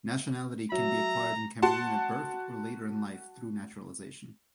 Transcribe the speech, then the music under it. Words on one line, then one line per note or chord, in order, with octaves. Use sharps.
Nationality can be acquired in Cameroon at birth or later in life through naturalization.
F#3 E5 A#5
F#4 F#5 A5 C6